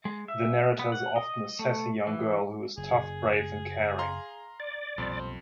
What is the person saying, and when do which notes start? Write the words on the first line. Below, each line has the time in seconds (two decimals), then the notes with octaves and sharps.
The narrator is often a sassy young girl who is tough, brave, and caring.
0.05 G#3
0.28 E5
0.79 B3
0.92 F#5
1.16 D#5
1.59 A3
2.07 E3
2.77 F#1 G#4
3.98 F5 A#5 C6
4.60 D5
4.98 B1 F2 A#2 G3 C5